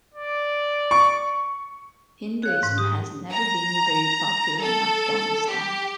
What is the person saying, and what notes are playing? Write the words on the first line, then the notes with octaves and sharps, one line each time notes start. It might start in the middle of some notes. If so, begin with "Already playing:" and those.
Hinduism has never been very popular in Afghanistan.
D5
C#6
G#4 C#5 F5 F#6
G#2 F#6
G4 D#6
A#5
A4
G4